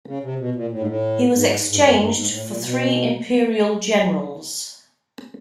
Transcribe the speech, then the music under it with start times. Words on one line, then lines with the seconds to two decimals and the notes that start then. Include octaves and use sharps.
He was exchanged for three imperial generals.
0.07 C#3
0.23 C3
0.39 B2
0.55 A#2
0.71 A2
0.79 G#2
0.87 A2
1.34 G#2
1.69 G#2
1.75 G2
1.82 F#2
1.99 G2
2.15 G#2
2.30 A2
2.46 A#2
2.63 B2